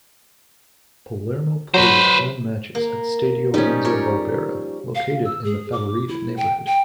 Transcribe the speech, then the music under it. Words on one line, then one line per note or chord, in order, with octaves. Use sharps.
Palermo plays its home matches at Stadio Renzo Barbera, located in the "Favorita" neighbourhood.
F#3 B4 C5
A#3
F3 G3 C#4 D#4
A#4 C#5 D5
F5
E6
G#4
D6
E4
G5
G5